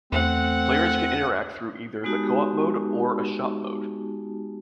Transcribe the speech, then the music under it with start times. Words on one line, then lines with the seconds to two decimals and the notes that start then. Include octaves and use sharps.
Players can interact through either the Co-op mode or a Shop mode.
0.12 E2 A3 C4 F#5
2.04 G#3 B3 D#4 F#4 G4 A5